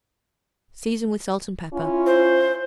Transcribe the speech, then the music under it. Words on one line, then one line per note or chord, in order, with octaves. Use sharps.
Season with salt and pepper.
C#4 E4 F4
C5